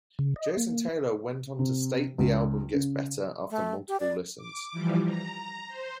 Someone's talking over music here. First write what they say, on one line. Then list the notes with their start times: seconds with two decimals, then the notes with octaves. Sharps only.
Jason Taylor went on to state the album gets better after multiple listens.
0.19 C#3
0.36 D#5
0.57 A#3
1.59 C3
2.18 C#2
2.73 C#3
3.51 A3
3.88 G4
4.00 D5
4.36 D6
4.72 E3 F3 G3
5.05 A#5
5.68 C5